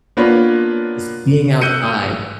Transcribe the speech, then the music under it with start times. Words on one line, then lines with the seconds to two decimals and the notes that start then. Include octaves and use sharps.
just being outside,
0.17 A#3 B3 D4 F4 B4 C#5
1.61 E6 F#6 G6 C#7 D#7